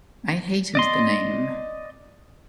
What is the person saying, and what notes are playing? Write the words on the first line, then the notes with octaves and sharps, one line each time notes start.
I hated the name.
D5 D#5 C6